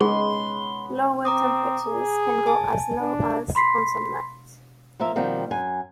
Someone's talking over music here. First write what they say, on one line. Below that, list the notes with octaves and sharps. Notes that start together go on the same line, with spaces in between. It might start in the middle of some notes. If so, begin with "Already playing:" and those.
Lower temperatures can go as low as - on some nights.
G#3 B3 C#4 G#4 C6 D#6
C4 A#5 D6 D#6
G#4
G#5 A5
D4
B5 C6 B6 C7
F3 A#3 A#4 E5
B2 D#3 F3 G3 A#3 C4
F#2 G#5